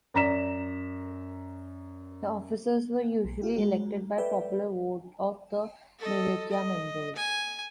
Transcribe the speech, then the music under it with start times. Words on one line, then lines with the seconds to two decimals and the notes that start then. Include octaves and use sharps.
The officers were usually elected by popular vote of the militia members.
0.14 F#2 D5 A#5 B6 E7
3.25 B1
3.42 F4 G4
3.56 G#3 F#4
4.18 A4 B4 D5 E5 G5
5.99 A4 D#5
6.50 D#5
7.16 G#5